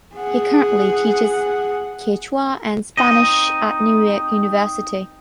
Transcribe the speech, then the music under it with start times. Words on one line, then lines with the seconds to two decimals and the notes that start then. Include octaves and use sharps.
He currently teaches Quechua and Spanish at New York University.
0.16 G#4 F#5
2.97 C4 D#4 D#5